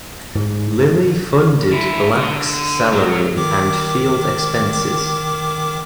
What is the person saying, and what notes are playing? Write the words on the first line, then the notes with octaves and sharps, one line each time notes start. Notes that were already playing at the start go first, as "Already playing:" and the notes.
Lilly funded Black's salary and field expenses.
G#2
D3 E4
D3
F#3
D#3 D6